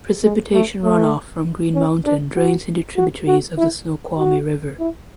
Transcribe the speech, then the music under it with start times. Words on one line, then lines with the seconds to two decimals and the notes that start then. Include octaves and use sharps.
Precipitation runoff from Green Mountain drains into tributaries of the Snoqualmie River.
0.23 G#3
0.53 A3
0.84 A3
1.75 C#4
2.05 D4
2.36 F#4
2.96 F#4
3.27 F#4
3.57 E4
4.18 F#4
4.79 E4